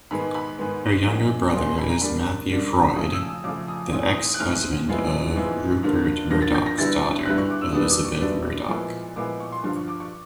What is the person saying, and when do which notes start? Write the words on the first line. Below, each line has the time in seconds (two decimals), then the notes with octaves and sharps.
Her younger brother is Matthew Freud, the ex-husband of Rupert Murdoch's daughter Elisabeth Murdoch.
0.11 G#2 D#3 G#3 B3 B5
0.35 B5
0.59 G#2 D#3 G#3 B3
1.06 A#2 F3 G#3 C#4
1.54 A#2 F3 G#3 C#4 C6
1.67 C6
1.78 B5
1.89 A#5
2.02 D3 G3 A#3 D4 B5
2.50 D3 G3 A#3 D4
2.96 F2 C#3 F3 A3 D#6
3.13 E6
3.28 D#6
3.44 F2 C#3 F3 A3 D6
3.68 D#6
3.92 G#2 E3 A3 C4 D#6
4.16 D#6
4.34 F#6
4.40 G#2 E3 A3 C4 F6
4.87 G#2 F3 G#3 B3 E4
5.35 G#2 F3 G#3 B3 E4
5.83 G2 D3 F3 A#3
6.30 G2 D3 F3 A#3 A#6
6.42 A6
6.55 G6
6.66 A#6
6.78 D2 D3 G3 B3 E4 A6
7.26 D2 D3 G3 B3 E4 F#6
7.38 C#6
7.50 D6
7.61 E6
7.73 F#2 D#3 G3 B3 D4 D#6
7.90 D6
8.05 C#6
8.21 F#2 D#3 G3 B3 D4
8.68 A#2 F3 G#3 B3 E4
9.16 A#2 F3 G#3 B3 E4 D6
9.40 C#6
9.52 C6
9.64 G2 D3 F3 C6
9.76 C#6
9.88 D6
10.00 C#6